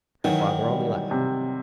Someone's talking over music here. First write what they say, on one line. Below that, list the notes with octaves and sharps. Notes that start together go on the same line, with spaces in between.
Her father only laughed.
D#3 E3 F#3
G3
C3